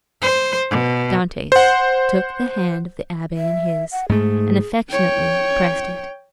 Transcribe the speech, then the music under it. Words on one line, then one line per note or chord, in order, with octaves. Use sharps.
Dantes took the hand of the abbe in his, and affectionately pressed it.
C5
B2
C5 F#5
E5
F#5
G#2 A3 G#4
C#5 G5